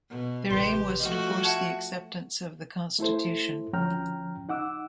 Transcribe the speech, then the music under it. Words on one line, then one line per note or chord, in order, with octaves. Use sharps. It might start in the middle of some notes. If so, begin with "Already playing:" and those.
Their aim was to force the acceptance of the constitution.
B2
A1 C3 G4 B4 C6
F3 A3 F#4 D#5
E5 F#5 A5 C#6 G#6
A3 E4 A4 C5
D2 F3 C#4 G5 A#5 F6
D#4 F#5 D6 E6